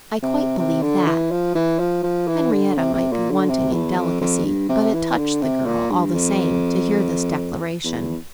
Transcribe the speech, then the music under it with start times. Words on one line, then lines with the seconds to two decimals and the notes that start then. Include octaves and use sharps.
"I quite believe that." Henrietta might be wanting in delicacy, but it touched the girl, all the same, to hear this declaration.
0.22 C3
0.59 C3
0.82 D3
1.07 E3
1.31 F3
1.55 E3
1.79 F3
2.03 F3
2.27 E3
2.52 D3
2.77 C3
2.94 C3
3.12 A#2
3.30 D3
3.49 C3
3.72 E2
3.97 F2
4.21 F2
4.45 G2
4.69 C3
4.94 E3
5.18 D3
5.42 C3
5.66 A#2
5.90 G2
6.14 F2
7.84 E2